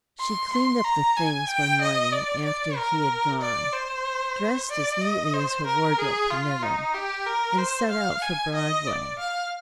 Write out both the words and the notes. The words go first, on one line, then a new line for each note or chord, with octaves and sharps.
She cleaned up the things one morning after he had gone, dressed as neatly as her wardrobe permitted, and set out for Broadway.
C6
C6
A#5
G#5
G5
D#5
D5
D5
A#4
D5
C5
D5
D#5
C5
A#4
G#4
F4
D#4
G4
A#4
C5
F5
G#5
D#5
D5
F5